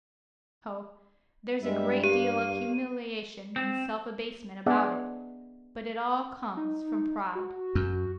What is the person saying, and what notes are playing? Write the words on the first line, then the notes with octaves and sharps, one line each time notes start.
Oh, there's a great deal of humiliation and self-abasement about it, but it all comes from pride....
G2 G3 G#3 E5
A#3 G4 D#7
C4
B3 D4 G#4 D5 E5 F#5
D#4
F#4
F#2